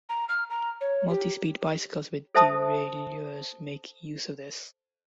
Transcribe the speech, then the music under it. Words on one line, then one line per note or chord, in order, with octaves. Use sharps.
Multi-speed bicycles with derailleurs make use of this.
A#5
F6
A#5
C#5
G4
A4 C5 E5 A5 D#6